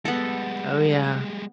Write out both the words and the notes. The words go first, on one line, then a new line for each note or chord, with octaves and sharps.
Oh, yeah.
G3 G#3 B3 A4